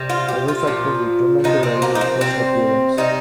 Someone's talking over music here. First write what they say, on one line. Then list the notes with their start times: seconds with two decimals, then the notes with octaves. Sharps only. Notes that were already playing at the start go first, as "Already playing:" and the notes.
Several factors determine the value of a first appearance.
Already playing: C3 G3
0.10 F4
0.28 G4
0.48 F4
0.67 A#2 F3
1.44 C3 F3 D#4
1.63 C4
1.82 A#3
1.95 D#4
2.01 C4
2.21 C3 D#3 C4
2.26 G3
2.98 C3 G3 D#4